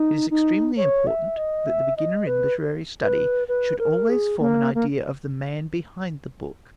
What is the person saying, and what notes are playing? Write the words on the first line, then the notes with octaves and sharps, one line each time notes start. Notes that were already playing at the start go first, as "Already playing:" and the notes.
It is extremely important that the beginner in literary study should always form an idea of the man behind the book.
Already playing: D#4
D#4
C#5
E5
D#5
E5
D#5
B4
B4
B4
A#4
G#4
A#3
A#3